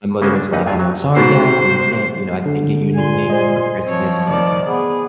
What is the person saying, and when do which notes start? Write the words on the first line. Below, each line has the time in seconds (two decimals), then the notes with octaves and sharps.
my mother was like, you know, "Sorry guys, but we can't" you know, "I can't get you anything for Christmas," and, uh,
0.22 C#3 A#3 B3 C#4 F#4 C5
0.35 D4
0.53 D#2 E3 D#4 B4
0.66 E2 G2 F#3 F4 G#5
0.79 F#3
1.16 G#2 B2 C5
2.46 D3
2.95 A#2 G#5 C6
3.30 C5 D#5
3.85 F3 C4 C#5
4.29 D#3 D5
4.66 B3 G#4